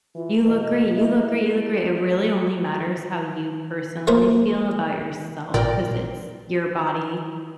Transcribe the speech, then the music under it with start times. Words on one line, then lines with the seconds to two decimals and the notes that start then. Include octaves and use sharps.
"You look great. You look great. You look great." It really only matters how you personally feel about yourself 'cause it's your body.
0.15 E3 F4
0.46 B2 D#5
0.95 E4
1.52 A4
4.07 A3 A#3 A#4 C5
5.54 A1 A#2 A#4 D5 G5